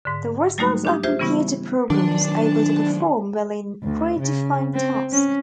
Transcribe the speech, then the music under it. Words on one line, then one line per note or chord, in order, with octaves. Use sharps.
The results are computer programs able to perform well in a predefined task.
G#2 D3
F#3 G3 A3 A#3 D#4 F#4
D4 G4 D#6
F4 G4 G#4 C5 E5
C#3 E3 G3 B3 C#4 E4
D#3 F#3 D4
D2
C#3
C4
C#4